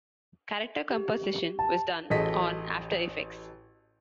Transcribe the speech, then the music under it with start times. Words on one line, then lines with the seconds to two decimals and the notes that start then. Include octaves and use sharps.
Character composition was done on After Effects.
0.91 G4
1.59 A5
2.10 A1 F#4 G#4 A4 D#5 B6